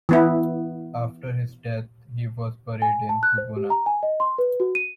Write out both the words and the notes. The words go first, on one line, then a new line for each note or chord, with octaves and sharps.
After his death, he was buried in Kubuna.
E3 B3 E4
G#5
A5
F#6
C5
G4
A#5
G#5
D#5
C6
B4
F#4
D#7